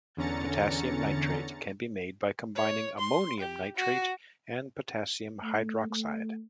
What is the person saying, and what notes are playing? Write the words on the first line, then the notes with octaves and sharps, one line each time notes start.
Potassium nitrate can be made by combining ammonium nitrate and potassium hydroxide.
E2 D3 C#4 A#5 A6 C#7
C#5
C6
G4
F#4
A3
A3